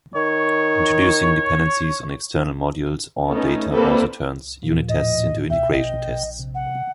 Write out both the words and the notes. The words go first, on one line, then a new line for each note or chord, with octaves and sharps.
Introducing dependencies on external modules or data also turns "unit tests" into "integration tests".
D#3 C#5
A3 B3 C#4 D#4
G3 A#3 C4 E4 A4 B4
D#2 A#2 F3
A2 D#5
C#2 B2 E5 G5
A#1 D#5
C3
F#5